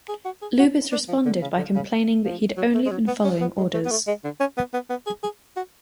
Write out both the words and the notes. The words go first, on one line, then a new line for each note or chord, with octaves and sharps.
Lubis responded by complaining that he had only been following orders.
G#4
F#4
G#4
F#4
D4
F3
D3
C#3
D3
C#3
F3
F#3
A3
G#3
F#3
B3
C#4
B3
G#3
A3
B3
A3
G#3
D3
C#4
B3
B3
B3
G#4
G#4
F#4